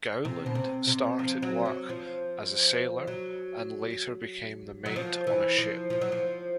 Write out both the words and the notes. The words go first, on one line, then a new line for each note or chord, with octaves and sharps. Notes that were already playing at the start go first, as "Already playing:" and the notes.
Gowland started work as a sailor and later became the mate on a ship.
C3
B2
C3
C3
F3
F#3
F#3
F3
F#3
F#3
F3
E3
F3
F3
F#3
F3